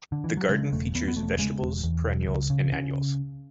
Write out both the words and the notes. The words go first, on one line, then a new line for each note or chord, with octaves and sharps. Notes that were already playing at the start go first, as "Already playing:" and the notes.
The garden features vegetables, perennials and annuals.
D3
E3
F#3
C#3 G#3
E1 A3
E2 B3
B3
E1 A3
C#3 G#3
E1
E2
E1
C#2
C#3
C#3